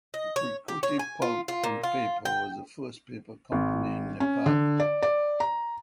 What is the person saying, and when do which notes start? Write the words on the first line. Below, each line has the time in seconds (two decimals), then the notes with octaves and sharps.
Bhrikuti Pulp and Paper was the first paper company in Nepal.
0.14 D#5
0.36 C#5
0.68 G4
0.83 C#5
0.99 G#5
1.22 F4
1.48 F4
1.64 A#2
1.84 F4
2.25 G5
3.52 G#1
4.20 C#4
4.46 D3
4.80 D5
5.02 D5
5.40 A#5